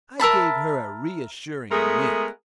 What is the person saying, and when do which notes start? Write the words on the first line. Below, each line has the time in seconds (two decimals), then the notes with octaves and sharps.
I gave her a reassuring wink.
0.19 A#4 E5 A5 B5
1.71 G#3 A3 B3 G#4 A#4